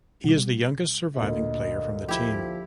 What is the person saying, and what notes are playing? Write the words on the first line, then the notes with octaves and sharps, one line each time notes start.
He is the youngest surviving player from the team.
B2 G3
D2 A#2 D#5
F3 E4 G4